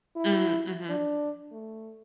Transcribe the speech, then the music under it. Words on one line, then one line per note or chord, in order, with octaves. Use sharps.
Mm, mhm.
E4
D4
A3